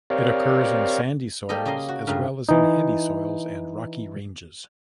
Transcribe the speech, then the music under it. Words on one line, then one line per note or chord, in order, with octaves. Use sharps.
It occurs in sandy soils as well as in heavy soils and rocky ranges.
C4 G4 A#4 C#5 D5 F5
G3 A3 A#3 G4 A4 D#5
C#3 A#3 D#5 A#5 C6
F#4
G2 C#3 A3 F4 A#4
E3 D#4